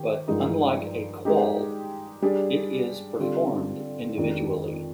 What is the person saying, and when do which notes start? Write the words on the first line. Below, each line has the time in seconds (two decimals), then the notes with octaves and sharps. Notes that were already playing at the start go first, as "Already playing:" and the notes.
But unlike a qual, it is performed individually.
Already playing: D#3 G4
0.27 G2 F3 G#3 D#4 A#4
1.25 G#3 D#4 G4
2.22 G3 D4 G#4
3.19 D3 G3 C4 F4
4.17 F2 D#3 G#3 D4